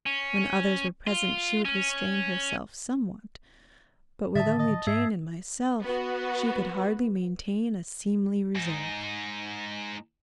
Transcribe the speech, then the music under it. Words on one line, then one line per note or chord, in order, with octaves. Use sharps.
When others were present she would restrain herself somewhat, but with only Jane and myself, she could hardly maintain a seemly reserve.
C#4
F4
C#4
A2 D3 D#3 E5 A5 D#6 A6
D#5 D#6
G#2 E5 E6 G#6 C7
B3 F#4
G#2 D#4